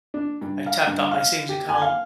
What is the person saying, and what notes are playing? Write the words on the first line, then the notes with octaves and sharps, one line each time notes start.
I tapped out my savings account,
D4
G2
F5
G2
F5
G4
G#5
F5